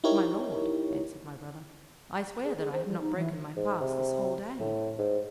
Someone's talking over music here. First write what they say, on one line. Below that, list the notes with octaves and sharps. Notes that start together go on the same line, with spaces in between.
"My lord," answered my brother, "I swear that I have not broken my fast this whole day."
D#4 E4 G4 A#4 C#5
G#4
G#4
C5
G3
D#4
E3
G#2
C3
A2
G#2